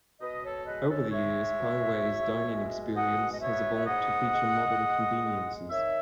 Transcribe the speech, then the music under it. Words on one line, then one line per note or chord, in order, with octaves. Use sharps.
Over the years, Pei Wei's dining experience has evolved to feature modern conveniences.
B2 B4 D#5
A4 C#5
G#3 B4 D#5
A4 C#5
G#3 C#5 E5
B2
B2
G#3
B2 D#5 F#5
D#5
B3 C#5 E5
E5
G#2 D#5 F#5
G#3
G#3
G#3
D#3 C#5 E5